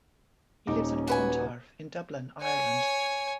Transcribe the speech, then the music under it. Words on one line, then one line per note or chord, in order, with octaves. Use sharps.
He lives in Clontarf, in Dublin, Ireland.
D#1 C#4 D#4 D6
F#4 B4 G#5
C#5 G#5